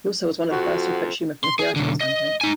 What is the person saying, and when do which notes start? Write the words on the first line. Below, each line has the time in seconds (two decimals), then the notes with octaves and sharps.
He also was one of the first who approached humour from a theoretical standpoint.
0.50 F2 F#4
1.44 C6
1.59 G#4
1.76 B1 D3
2.01 D#5
2.41 D#4 G#5